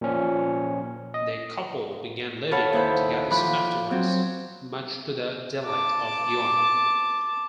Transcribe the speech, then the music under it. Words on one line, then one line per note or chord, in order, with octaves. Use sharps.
They couple began living together soon afterwards, much to the delight of Yuan.
A#2 F3 C#4
D#5
A4 B4 C#5 F5 F#5 A5
D#2 E4 C5 E5 F#5 B5
F3 B5 D6 F#6
F#3 C4
A5 D6